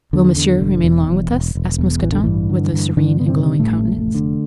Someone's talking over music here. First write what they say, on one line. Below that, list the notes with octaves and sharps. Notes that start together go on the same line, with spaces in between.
"Will monsieur remain long with us?" asked Mousqueton, with a serene and glowing countenance.
E2 D3
D3
E1
E2
E1
E1
E1
E2
A1 E3
D3
G2 E3
D3
G2
G2 D3 D4
D3 B3
C3 C4
G2
A2 A3
A1
F1
D3